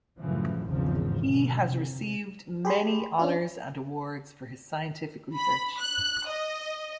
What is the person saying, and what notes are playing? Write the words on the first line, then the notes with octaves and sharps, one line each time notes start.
He has received many honors and awards for his scientific research.
F#2 A2 C#3 E3 F3
G#1 E2 G#2 C#3 F3
F2 B2 D3
C3
G4 G#4 B5 C6
C#4 D4 F4
B5
F#6
D#5